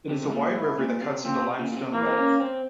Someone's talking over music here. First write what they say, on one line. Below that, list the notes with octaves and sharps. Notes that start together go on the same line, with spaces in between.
It is a wide river that cuts into limestone beds.
C3
G#2
A#2
G#2 E4
A#2
C3
A#2 C4
C3
A#2
A#2
C3
E3 A#3
C4
C#4
C4